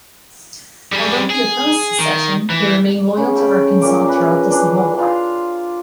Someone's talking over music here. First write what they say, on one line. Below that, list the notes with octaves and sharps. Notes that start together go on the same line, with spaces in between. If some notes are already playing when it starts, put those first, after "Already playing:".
Although he opposed secession, he remained loyal to Arkansas throughout the Civil War.
G3 G#4
G#4
D#3
E3
C#3
A4 G5 B5
A#2 A#3 C#4 D6
G#4 A#4 B4 D#5
E3 D4
F4 F5 C6